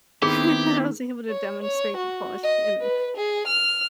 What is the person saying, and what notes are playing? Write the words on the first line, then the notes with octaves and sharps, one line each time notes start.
and I was able to demonstrate the push and
D#3 B3 C4 E4 G4 G#4
C#5
C#5
F#4
D#5
B4
G#4
F6